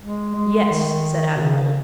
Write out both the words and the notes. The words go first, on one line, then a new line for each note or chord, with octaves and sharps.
"Yes," said Adam boldly.
G#3
G#3
D#3
B2
C#3
C#3